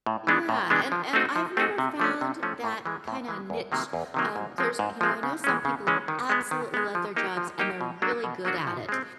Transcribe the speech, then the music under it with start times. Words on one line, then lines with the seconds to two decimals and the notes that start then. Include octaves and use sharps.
Yeah, and and I've never found that kinda niche, um, there's you know, I know some people absolutely love their jobs and they're really good at it,
0.06 A2
0.27 E3 G#3 B3 D4
0.49 A2
0.70 E3 G#3 B3 D4
0.92 F3
1.13 A3 C4 D#4 F#4
1.36 F3
1.57 A3 C4 D#4 F#4
1.78 C3
2.00 F3 A3 C#4
2.21 C3
2.43 F3 A3 C#4
2.64 A2
2.86 E3 G#3
3.08 A2
3.28 E3 G#3
3.50 E2
3.72 C3 D#3 F#3 A#3
3.93 E2
4.14 C3 D#3 F#3 A#3
4.36 G#2
4.58 F3 G#3 C4
4.79 G#2
5.01 F3 G#3 C4
5.23 C#3
5.44 E3 G#3 C#4
5.65 C#3
5.87 E3 G#3 C#4
6.08 D#3
6.30 G#3 B3
6.51 D#3
6.74 G#3 B3
6.95 F3
7.16 A#3 D#4 G4
7.37 F3
7.59 A#3 D#4 G4
7.81 B2
8.02 F#3 A#3 D4 F#4
8.24 B2
8.45 F#3 A#3 D4 F#4
8.67 F3
8.89 G#3 C4